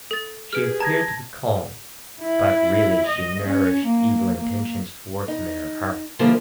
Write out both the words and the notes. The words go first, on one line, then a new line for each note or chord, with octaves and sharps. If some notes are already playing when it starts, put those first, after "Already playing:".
She appeared to be calmed, but really she nourished evil intentions towards him in her heart.
A4 A6
G4 G#4 B4 G#5 F6 D7
A5 A#5 G#6 A#6
E4
D#5
C#4
A#3
A#3
D#4
D3 E3 F3 G3 A#3 A#4